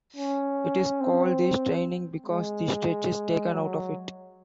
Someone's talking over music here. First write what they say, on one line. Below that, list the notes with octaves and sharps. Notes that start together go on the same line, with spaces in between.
It is called the straining, because the stretch is taken out of it.
C#4
C4
G#3
F#3